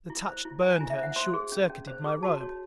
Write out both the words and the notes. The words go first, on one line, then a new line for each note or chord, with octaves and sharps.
The touch burned her, and short-circuited my robe.
E4
C5
E4
C5 G#5
E4 G#5
E5
C5
F#5
C5 C6
G#4
C#4
C#4
C5
G#4
F#4 A5
C#5